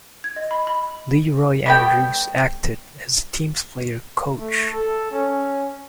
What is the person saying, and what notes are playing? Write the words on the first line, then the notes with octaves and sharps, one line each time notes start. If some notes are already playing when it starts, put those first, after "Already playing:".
LeRoy Andrews acted as the team's player-coach.
G#6
D#5
B5
B5
G3 A3 B3 G5
A3
A4
C#4